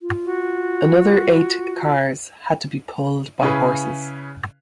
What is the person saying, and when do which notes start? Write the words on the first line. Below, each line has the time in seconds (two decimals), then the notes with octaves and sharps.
Another eight cars had to be pulled by horses.
0.02 F4
0.24 F#4
3.42 C#3 C#4 E4 G#4 B4